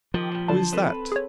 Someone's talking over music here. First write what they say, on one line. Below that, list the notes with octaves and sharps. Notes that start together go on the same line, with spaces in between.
Who is that?
D#3 F3 A#3 G4
A#2 G3
D3 G3 D4 C5 A5
C4 A4 B4
G#4 C#5